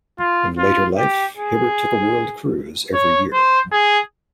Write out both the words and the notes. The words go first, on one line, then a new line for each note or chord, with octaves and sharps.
In later life, Hibbert took a world cruise every year.
F4
F4
G4
G#4
C#5
C5
G#4